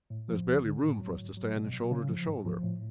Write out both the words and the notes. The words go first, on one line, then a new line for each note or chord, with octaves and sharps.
There was barely room for us to stand, shoulder to shoulder.
A2
F3
D2
D3
A2
F#3
G#2
F#3
B2
F#3
C#3
F3
G#2
F3
A2